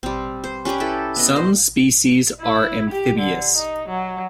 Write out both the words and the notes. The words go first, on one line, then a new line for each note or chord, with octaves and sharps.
Some species are amphibious.
G3 C4
C5
C#4 G4 B4 D5
E4 A4
B3 D#5
C5
E4
G4
D3
D#4
F#3